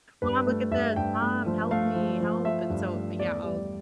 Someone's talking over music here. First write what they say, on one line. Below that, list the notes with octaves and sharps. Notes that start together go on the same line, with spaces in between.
"Mom, look at this." "Mom, help me, help," and so, uh, yeah, I'll
G2 B4
A3
G2 E5
G2 G5
A3
F3
A3 F5
F3
F3
A3 E5
G2
A3
E2 D5
G3 D5